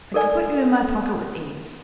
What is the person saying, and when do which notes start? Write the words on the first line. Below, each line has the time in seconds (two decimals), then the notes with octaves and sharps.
I could put you in my pocket with ease.
0.14 A4 A#4 D5 G#5